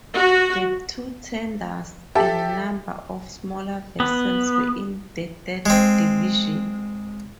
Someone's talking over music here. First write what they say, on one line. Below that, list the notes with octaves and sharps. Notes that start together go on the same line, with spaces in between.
The two tenders and number of smaller vessels were in the third division.
F#4
G4 A4 E5
B3
G#3 C4